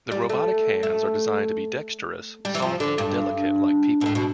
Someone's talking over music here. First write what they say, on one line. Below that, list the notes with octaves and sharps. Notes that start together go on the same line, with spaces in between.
The robotic hands are designed to be dexterous, soft and delicate like people.
G3
A3
A3
G3
E3
F3
D3
G2
B2
A2
B2